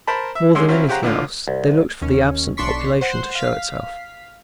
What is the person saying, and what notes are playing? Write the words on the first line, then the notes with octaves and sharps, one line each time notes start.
More than anything else, they looked for the absent population to show itself.
A#4 C5 A5 B5
E5
D3 G3 G#3 C#4 C6 E6
F#3 C4 C#4 E4 F4
C#3 G4 C5 F#5 A#5
A2 D3 F4
C2
D#2 C#4
B1 D4 C6 C#6 B6
C5 F#5 C6
F5 B6